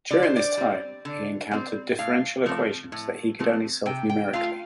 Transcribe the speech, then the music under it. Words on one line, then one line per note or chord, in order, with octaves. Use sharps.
During this time, he encountered differential equations that he could only solve numerically.
D3 D5
C5
D5
G3 C4
D3
G3 C4
A2 F5
F3 A3 C4
A2
F3 A3 C4
C3 G5
G5
A3 F4 F5